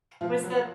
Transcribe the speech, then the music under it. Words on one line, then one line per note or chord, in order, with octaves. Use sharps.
Was that
B2 F3 F4
F#3 F#4